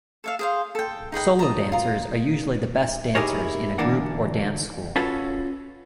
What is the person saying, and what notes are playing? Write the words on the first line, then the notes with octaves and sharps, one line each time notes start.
Solo dancers are usually the best dancers in a group or dance school.
A4 E5 F5
G#4 C5 F5
A4 G5
D#4 G#4 B4 G5
D#5 A5 A#5
F4 A#5
D#4 E4 G4 G#4 A#4 C#5
D2 E3 A#3 D4 F#5
C#4 F4 F#4 A4 B4 C#5